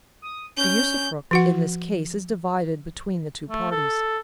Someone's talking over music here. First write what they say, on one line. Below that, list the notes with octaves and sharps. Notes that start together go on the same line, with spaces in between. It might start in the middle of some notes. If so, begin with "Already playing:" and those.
The usufruct in this case is divided between the two parties.
D#6
C#4 G6
F3 F#4 F#5
A3
A4